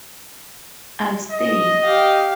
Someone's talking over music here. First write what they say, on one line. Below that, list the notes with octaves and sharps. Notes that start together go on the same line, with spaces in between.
I’ll stay.
D#5
G4 F5